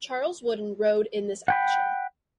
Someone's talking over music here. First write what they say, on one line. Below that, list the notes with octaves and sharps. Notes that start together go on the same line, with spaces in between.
Charles Wooden rode in this action.
F#5 G5 B5